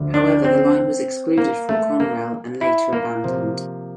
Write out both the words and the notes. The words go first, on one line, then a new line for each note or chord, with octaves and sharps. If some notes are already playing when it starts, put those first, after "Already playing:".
However, the line was excluded from Conrail and later abandoned.
Already playing: D2 D3 F3
D4
C4
A#3
A3
A#3
E4
A#3
C3 F3